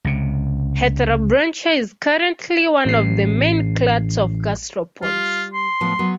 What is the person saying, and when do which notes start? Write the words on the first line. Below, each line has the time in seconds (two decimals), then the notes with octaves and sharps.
Heterobranchia is currently one of the main clades of gastropods.
0.05 C#2 C3
2.85 A1 C7
5.03 G3 F4
5.53 C6
5.80 A2 F3 B3
5.99 F#3 B3